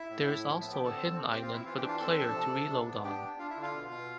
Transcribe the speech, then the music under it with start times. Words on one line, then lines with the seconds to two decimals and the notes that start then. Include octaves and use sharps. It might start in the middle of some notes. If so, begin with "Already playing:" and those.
There is also a hidden island for the player to reload on.
Already playing: E4 E5
0.09 A2
0.26 A2
0.45 F3
0.61 B3 E4 E5
0.72 G4 G5
0.78 D3
0.84 A4 A5
0.97 C4
1.13 C4
1.30 C4 G4 G5
1.42 F4 F5
1.48 C4
1.53 E4 E5
1.65 E3 F4 F5
1.77 G4 G5
1.83 D4
1.88 F4 F5
2.00 C4 A4 A5
2.18 F3
2.35 C3
2.52 C3
2.70 D4
2.88 B3
3.04 D4 G4 G5
3.21 D4
3.39 D4 F4 F5
3.50 E4 E5
3.57 D3
3.62 F4 F5
3.74 B2
3.91 B2